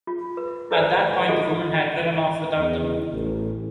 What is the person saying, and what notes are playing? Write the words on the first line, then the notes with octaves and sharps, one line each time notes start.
At that point the woman had driven off without them.
F4
B4
E4 A4 B4 C5 D5
F4 F#4 A4 D#5
E2
A1